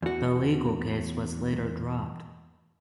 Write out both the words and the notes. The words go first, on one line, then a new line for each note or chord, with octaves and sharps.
The legal case was later dropped.
E2 F#4